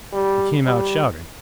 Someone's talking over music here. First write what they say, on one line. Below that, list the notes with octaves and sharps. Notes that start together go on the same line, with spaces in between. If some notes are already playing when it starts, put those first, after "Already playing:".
He came out shouting.
G3
G3